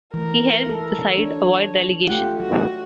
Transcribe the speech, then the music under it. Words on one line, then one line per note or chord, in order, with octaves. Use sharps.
He helped the side avoid relegation.
E3 A3 A#4
E4 A4
D4 C#5
A3 F4 G4 F#5
F#3 F#4